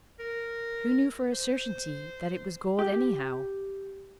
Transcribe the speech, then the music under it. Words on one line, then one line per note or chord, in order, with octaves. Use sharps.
Who knew for a certainty that it was gold anyhow?
A#4
C5
G4